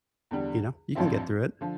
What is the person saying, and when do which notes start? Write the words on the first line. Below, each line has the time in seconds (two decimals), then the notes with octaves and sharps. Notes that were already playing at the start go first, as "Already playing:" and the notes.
you know, "You can get through it,"
0.31 E2 D3 G3
0.95 A1 G2 F3 C4 E4
1.61 D3 F3